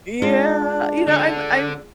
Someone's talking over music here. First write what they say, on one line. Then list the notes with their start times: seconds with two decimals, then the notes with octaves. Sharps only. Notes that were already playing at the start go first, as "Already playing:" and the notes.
Yeah, you know, I'm I'm
0.22 G#3 D4 F4
1.07 D3